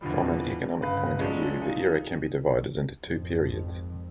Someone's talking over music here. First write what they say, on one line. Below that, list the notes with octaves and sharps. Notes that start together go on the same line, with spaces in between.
From an economic point of view, the era can be divided into two periods.
E2 B2 D3 F3 G3
G1 C#3 B4 F5
F3 F#3 G#3 C#4 A4 D5
D#4 F4 G#4
G#1 F2